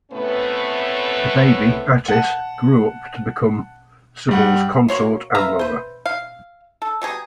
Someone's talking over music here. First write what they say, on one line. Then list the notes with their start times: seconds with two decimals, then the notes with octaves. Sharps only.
The baby, Attis, grew up to become Cybele's consort and lover.
0.11 A2 C3 A3 B3 C#4 B4
2.08 F#5 A5
4.29 G2 G3 F#5
4.88 A#3 F#4 C#5 C6
5.35 B4 E5 F5 A#5
5.59 B4 C5
6.06 F5
6.82 A4
7.02 B2 G3 G#4 A#5